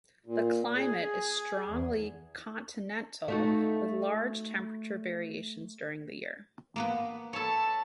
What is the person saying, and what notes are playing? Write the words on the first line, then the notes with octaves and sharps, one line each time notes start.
The climate is strongly continental with large temperature variations during the year.
A#2
G#4
E2
A3 D#4 F#4
A#3 B3 B4
A4 C#5 A5 B5